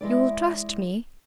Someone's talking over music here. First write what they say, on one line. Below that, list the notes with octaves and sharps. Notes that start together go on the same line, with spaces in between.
You'll trust me?
E3 G#3 E4 D5